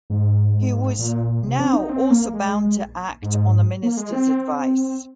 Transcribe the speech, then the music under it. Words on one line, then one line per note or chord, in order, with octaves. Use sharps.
He was now also bound to act on the ministers' advice.
G#2
A#2
C3
C4
D#4
C4
A#3
G#3
G#2
A#3
G#3
C4